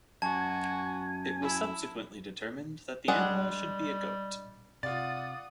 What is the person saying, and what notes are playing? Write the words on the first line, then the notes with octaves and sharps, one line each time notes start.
It was subsequently determined that the animal should be a goat.
F#2 F#4 G#5 A5
E4
G3 G#3 D4 F#5
C3 F4 D5 F#5 D#6 A6